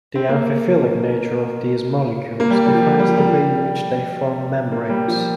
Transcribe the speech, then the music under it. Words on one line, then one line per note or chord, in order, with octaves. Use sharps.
The amphiphilic nature of these molecules defines the way in which they form membranes.
C4
A#3
A#3
G3
G3
F3
G3
F3
G3
A#3
G3
F3